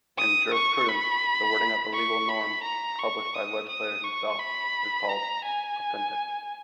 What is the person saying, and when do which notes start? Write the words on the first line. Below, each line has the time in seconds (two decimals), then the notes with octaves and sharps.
In jurisprudence, the wording of a legal norm published by the legislator himself is called "authentic".
0.18 D#6
0.54 C#6
0.88 B5
1.93 C#6
2.29 B5
2.63 A#5
2.99 C#6
3.34 D#6
3.68 D#6
4.04 C#6
4.39 B5
5.09 A#5
5.44 G#5